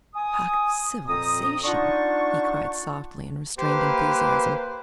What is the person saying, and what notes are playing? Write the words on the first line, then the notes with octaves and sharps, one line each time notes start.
"Talk of civilization," he cried softly in restrained enthusiasm.
G#5 D#6
F2 A#2 C4 A#5 D#6
D4 D#4 F4 F#5 A5 C#6
A#3 G4 B4 C5